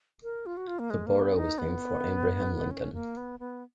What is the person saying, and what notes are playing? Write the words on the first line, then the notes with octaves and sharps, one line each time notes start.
The borough was named for Abraham Lincoln.
A#4
F4
F#4
F4
A#3
G#3
A#3
B3
D#4
B3
C#4
A#3
B3
B3